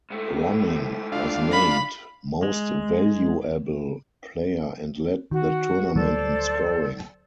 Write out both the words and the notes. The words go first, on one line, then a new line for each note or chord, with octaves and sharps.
Ronning was named Most Valuable player and led the tournament in scoring.
G#2 A3
D4 F4 F5
B5
G#3
D#3 F#4
D2 F#3 G3 A4 C5 D5